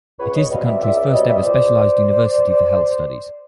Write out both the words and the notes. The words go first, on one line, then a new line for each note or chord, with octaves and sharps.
It is the country’s first ever specialized University for health studies.
C#2 B4 C#5
C#5 D#5
B2 G3 C4 D#5 F5
D5 E5
C#2 D5 E5
D5 E5
B2 G3 C4 C#5 D#5
D5 E5
D#5
C#2 C5 D5